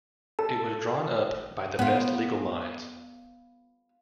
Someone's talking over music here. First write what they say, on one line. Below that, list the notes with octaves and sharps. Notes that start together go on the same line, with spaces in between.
It was drawn up by the best legal minds.
A4 A5
B3 F4